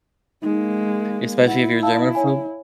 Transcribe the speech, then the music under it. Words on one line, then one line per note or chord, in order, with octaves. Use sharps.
Especially if you're a germaphobe.
G#3 A#3 D#4
E4 F#5
F5 A5 E6
C#5 G#5